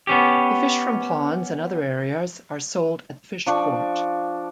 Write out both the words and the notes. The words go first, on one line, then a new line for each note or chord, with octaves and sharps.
The fish from ponds and other areas are sold at the Fish Port.
B3 C#4 G4
F3 D4 C#6